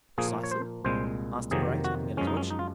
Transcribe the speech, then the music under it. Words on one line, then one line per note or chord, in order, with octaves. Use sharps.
"Precisely?" asked Debray, taking out his watch.
A#2 F3 A#3 G#4
C#5
C5
C2 A#2 G#3 C5
F2 C3 D#3 F#3 A#3 G#4
F#4
F#2 F3 G#3 C#4
D#4
C#4
D#4
F4